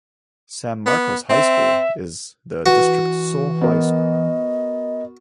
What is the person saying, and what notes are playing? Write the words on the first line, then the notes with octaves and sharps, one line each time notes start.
San Marcos High School is the district's sole high school.
B3
C4 E5
E3 F#4
B3 A#4 D#5